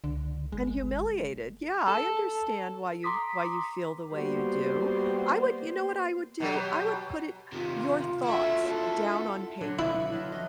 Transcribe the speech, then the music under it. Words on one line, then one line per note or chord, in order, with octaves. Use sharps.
and humiliated, yeah, I understand why you why you feel the way you do. I would you know what I would do? I would put it your thoughts down on paper.
C#2 D3
G1 G#3
A4
A#5 C6 D6 D#6 B6
G3 A#3 B3 F#4 C5
B2 F#3 G4
C3 D#3 F4
A3 E4 F#4 E5
A4
A#2 D3 F#3
B3 E4 A4 C5
F#3 F4 E5
F2 F#4 D#5